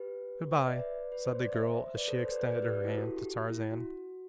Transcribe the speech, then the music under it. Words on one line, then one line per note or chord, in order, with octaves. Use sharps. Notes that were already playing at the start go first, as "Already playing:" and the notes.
"Good-bye," said the girl as she extended her hand to Tarzan.
Already playing: G4 B4
E5
B4 D5
B4
C5
D5
C5 E5
B4 D5
A4 C5
A4 C5
B4 D5
B4 D5
B4 D5
G4 B4
G4
E4
F#4 A4
F#4
G4
E4
F#4